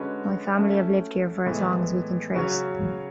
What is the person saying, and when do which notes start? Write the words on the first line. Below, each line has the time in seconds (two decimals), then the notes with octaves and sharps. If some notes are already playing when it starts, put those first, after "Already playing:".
My family have lived here for as long as we can trace.
Already playing: D3 G#3 C#4 F#4 B4
0.57 A3 C#4 E4
1.46 A2 E3 G#3 B3
2.35 C#3 F#3 C#4 F#4 C#5